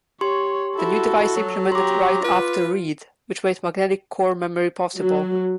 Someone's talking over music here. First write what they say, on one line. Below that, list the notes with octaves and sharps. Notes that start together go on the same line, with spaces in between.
The new device implemented "write-after-read" which made magnetic core memory possible.
G4 C#5 C6
E4 F#4 A4
F#3
G4 A#5 C6 D6
F4 B4
F#3